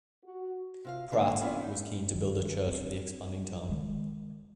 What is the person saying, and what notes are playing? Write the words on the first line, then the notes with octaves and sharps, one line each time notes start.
Pratt, was keen to build a church for the expanding town.
F#4
C3 F4 F5
D2 D3 F3 A3 A#3 C#5
E3 B3 C#4 D4 E4 F4
D#4
D#3
C4 D4
D#3 G#3